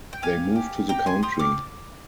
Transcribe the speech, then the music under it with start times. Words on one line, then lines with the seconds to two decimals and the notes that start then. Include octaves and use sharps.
They move to the country.
0.13 G5
0.22 G4 F5 G#5
0.56 G4
0.89 G4 G5 A#5
1.06 G#5 C6
1.23 G4 C6 D#6
1.39 D6 F6